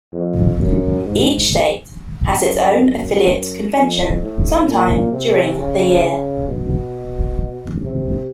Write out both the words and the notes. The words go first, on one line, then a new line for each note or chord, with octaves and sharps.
Each state has its own affiliate convention sometime during the year.
F2
F#2
G#2
F#2
F#2
F2
A2
A#2
C3
C#3
C#3
B2
C3